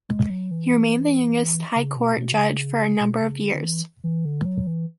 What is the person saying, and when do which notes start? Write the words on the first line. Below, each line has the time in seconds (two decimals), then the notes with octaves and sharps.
He remained the youngest High Court judge for a number of years.
0.09 G#3
0.30 F#3
0.51 E3
1.76 C#3
1.97 B2
2.17 B2
2.33 D3
2.38 C#3
3.00 B2
3.21 C#3
3.42 D3
3.54 D3
3.63 E3
4.04 E3
4.25 D3
4.42 E3
4.45 F#3
4.67 E3